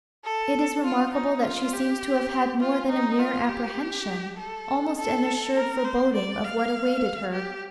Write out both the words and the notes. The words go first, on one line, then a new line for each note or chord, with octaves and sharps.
It is remarkable that she seems to have had more than a mere apprehension, almost an assured foreboding, of what awaited her.
A4
F4
D#4
F4
G4
F4
D#4
F4
G4
A4
A4
A#4
C5
D5
F5
G4